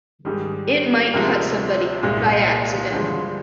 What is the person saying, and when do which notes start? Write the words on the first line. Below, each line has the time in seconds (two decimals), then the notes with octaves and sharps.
It might cut somebody, by accident.
0.25 G#2 D#3 G3 G#4
1.14 D2 C3 F3 G#3 A#4
2.03 C2 A#2 G#3
2.92 G2 D3 F3 G#3 C5